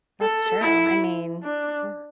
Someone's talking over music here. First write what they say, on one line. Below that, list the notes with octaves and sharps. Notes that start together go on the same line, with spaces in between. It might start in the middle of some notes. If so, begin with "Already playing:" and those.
That's true. I mean, yeah.
A4
E4
D4